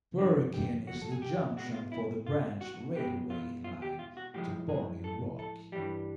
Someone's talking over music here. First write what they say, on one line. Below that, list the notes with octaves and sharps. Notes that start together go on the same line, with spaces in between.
Burakin is the junction for the branch railway line to Bonnie Rock.
G2 D3 F3 G#3 F#4
G4
F#4
A4
G#4
G4
B2 G#3 F#4
F4
E4
F4
F#4
B2 G#3 G4
F4
F4
G4
F4
F#4
A2 F3 G#3 G4
G#4
A4
A4
G2 E3 G3 G4